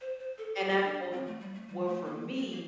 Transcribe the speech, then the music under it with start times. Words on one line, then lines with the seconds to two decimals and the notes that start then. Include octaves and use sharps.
And I told him, "Well, for me,
0.01 C5
0.19 C5
0.38 A4
0.56 G4
0.84 D4
1.13 C4
1.26 A3
1.40 G3
1.54 A3
1.68 G3
1.87 A3
2.06 A#3
2.38 C4
2.52 A#3